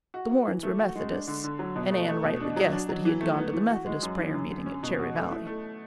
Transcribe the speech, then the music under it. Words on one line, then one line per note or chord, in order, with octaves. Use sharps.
The Warrens were Methodists and Anne rightly guessed that he had gone to the Methodist prayer meeting at Cherry Valley.
F#4
B3
E3
A3
F#4
G#3
D4
D3
D3
F#3
B2
A3
A3
B2
D4
F#3
D4
F#3
E3
A3
B3
E3
F#4
G#3
F#2
E3
F#2
D3
C#4
B2
F#4
A3
E4
A3